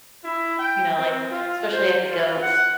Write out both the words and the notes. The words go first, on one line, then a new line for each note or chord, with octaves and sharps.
you know, like, especially at the goats
E4
G5
C4
F4
C5
F4
F#5